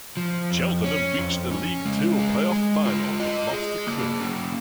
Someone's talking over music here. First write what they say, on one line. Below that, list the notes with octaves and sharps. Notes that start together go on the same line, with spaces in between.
Cheltenham reached the League Two play-off final, but lost to Crewe.
F3
F2
C#4
F2
C#4
G#3
G#4
G#3
F4
D#5
G#4
A#3
C#4